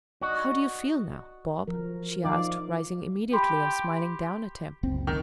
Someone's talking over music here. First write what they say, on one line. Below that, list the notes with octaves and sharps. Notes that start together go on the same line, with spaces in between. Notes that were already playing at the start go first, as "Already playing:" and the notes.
"How do you feel now, Bob?" she asked, rising immediately and smiling down at him.
F#4 D5 D#5
F3 A#4
F3 D#4 D5 F5
G4 B5 C6
F#1 C#2 C4
D#3